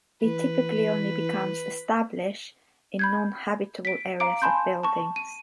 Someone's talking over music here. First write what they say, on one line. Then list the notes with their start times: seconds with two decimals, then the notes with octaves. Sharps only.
It typically only becomes established in non habitable areas of buildings.
0.23 E3 B4
2.99 B5 G6 G#6
3.85 B6 D7
4.20 F5 A#5 D6 D7
4.42 G#5 A5 B5 C6 G6
4.83 A5 C#6
5.16 D#7